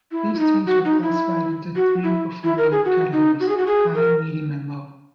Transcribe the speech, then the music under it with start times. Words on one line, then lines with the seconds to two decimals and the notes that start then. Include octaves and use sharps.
These teams were classified into three performing categories: high, medium and low.
0.12 E4
0.34 E4
0.39 D#4
0.67 F#4
0.85 D#4
1.03 E4
1.76 F#4
2.03 E4
2.44 E4
2.58 A#4
2.71 G#4
2.85 F#4
3.13 D#4
3.40 F#4
3.49 G#4
3.57 F#4
3.67 G#4
3.95 A#4